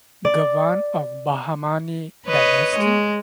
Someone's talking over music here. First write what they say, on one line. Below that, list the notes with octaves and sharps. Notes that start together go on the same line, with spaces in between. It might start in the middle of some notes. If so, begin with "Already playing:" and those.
Gavan of Bahamani dynasty.
D5
B4 C#5 D#5
G#3